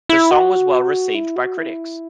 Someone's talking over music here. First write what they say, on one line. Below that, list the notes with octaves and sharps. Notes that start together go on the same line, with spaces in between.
The song was well-received by critics.
E4
F#4
E4
F#4
E4